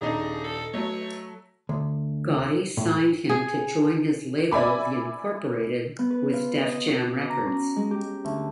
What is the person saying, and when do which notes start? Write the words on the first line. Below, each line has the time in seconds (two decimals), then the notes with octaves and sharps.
Gotti signed him to join his label The Incorporated with Def Jam Records.
0.01 D#1 D4 D#4 G#4
0.44 A4
0.74 F#3 A3 C#5
1.69 D2
2.77 A2
3.29 G#4
4.52 D5 E5 G#5 B5 D6
5.99 B3
6.11 B4
6.33 F4
6.63 D#5
6.87 F#4
7.08 D6
7.30 A#5
7.46 C#4
7.76 G#3
7.91 G4
8.24 D2